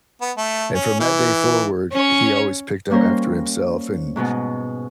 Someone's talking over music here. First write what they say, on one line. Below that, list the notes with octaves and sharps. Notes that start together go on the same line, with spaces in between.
and from that day forward, he always picked up after himself and
B3
A3
C#4
E3
C#4 C#5
G3 A#3 C#4 A#4 C5
G#2 B2 G#3 B3